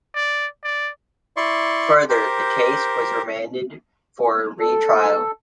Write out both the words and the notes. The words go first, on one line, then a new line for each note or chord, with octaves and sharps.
Further, the case was remanded for a re-trial.
D5
D5
E4 D5 C6 C#6
G4 A#4 C5
A4